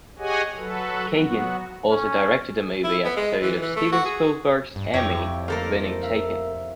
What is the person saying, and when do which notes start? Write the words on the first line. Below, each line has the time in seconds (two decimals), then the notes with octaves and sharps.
Kagan also directed a movie episode of Steven Spielberg's Emmy winning "Taken".
0.19 G4 G#4 C#5 D#5 F#5 G#5
0.57 F#3 F#4 A4 B4
1.12 F#3 B3 F#4
1.90 C#4
2.84 E4
3.05 B3
3.17 G#3
3.42 E3
3.62 E3
3.76 A3
3.92 F#4
4.05 G#4
4.76 G2
4.94 F2 E4 G4 C#5 G5 A#6
5.48 A3 A#3 A4 A#4 C5
6.03 E5 F5